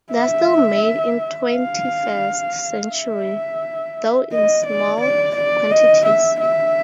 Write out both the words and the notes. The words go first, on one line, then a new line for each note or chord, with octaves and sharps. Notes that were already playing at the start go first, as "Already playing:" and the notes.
They are still made in the twenty-first century, though in small quantities.
E5
F5
E5
D#5
D5
D5
D5
D#5
E5
E5